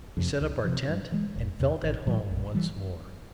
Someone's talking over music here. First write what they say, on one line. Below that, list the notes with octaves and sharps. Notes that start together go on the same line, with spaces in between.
We set up our tent, and felt at home once more.
F2 C3
C#2
C3 F3
G2
E3 G#3
E1
E2 C3
A1
A2 E3 G3
A#1
E3 G3